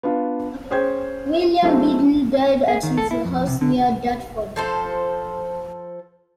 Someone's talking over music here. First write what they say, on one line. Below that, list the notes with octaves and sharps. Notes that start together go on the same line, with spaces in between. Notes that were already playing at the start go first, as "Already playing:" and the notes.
William Bedle died at his house near Dartford.
B3 D4 F4
C#4 G#4 C5 G5 G#6
F#3 A3 C4 D#4 E4 G#4
G#4
D#3
A4
E4
F2
C3
D3
F3 A4 C5